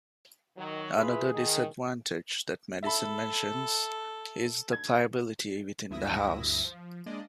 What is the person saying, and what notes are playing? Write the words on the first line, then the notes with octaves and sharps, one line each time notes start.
Another disadvantage that Madison mentions is the pliability within the House.
D#3 F#3
E4 F4 G#4 B4
D#3
A4 E5 B5
G#6
D2 G2 E4 E5 D#6 A#6
F3
G#3 A#3 D4 D5 D#5